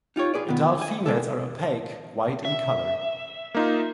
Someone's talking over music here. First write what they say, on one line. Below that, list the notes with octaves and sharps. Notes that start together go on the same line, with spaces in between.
Adult females are opaque white in colour.
D#4 F4 G4 C#5
F4 G#4 B4 D5
D#3 B3
G#5
C#3 G#3 A4
E5
A#3 D#4 F4